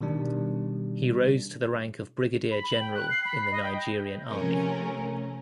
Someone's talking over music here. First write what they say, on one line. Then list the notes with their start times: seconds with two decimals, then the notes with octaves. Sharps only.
He rose to the rank of Brigadier General in the Nigerian Army.
0.01 B2 D#3 G3 D4
2.51 B5
2.67 F#7
2.80 G5
2.95 F#6
3.10 C7
3.25 B5
3.51 D#5
3.63 G5
4.29 C3 F3 A3 C#4 A#4